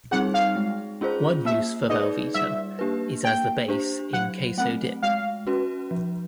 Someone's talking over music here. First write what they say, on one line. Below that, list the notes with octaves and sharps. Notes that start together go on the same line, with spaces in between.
One use for Velveeta is as the base in queso dip.
G3 C4 D#4 G#4 F#5
F5
G#3
C#4 F4 G#4 C5
A#3 E5
D#4 G#4 B4 D5 D#5
G3 E5
A#3 D4 G4 B4
A#3 G5
D4 G4 C5
F#3 F#5
A3 C4 F#5
G#3 F5
C#4 F#4 B4
F3